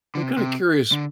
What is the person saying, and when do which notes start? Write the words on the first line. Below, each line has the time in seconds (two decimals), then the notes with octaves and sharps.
I'm kinda curious.
0.15 D3
0.22 C3
0.37 C3
0.92 D3